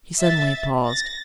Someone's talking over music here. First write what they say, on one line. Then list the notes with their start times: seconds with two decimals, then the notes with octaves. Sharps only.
He suddenly paused.
0.20 E5 A6
0.87 A6 A#6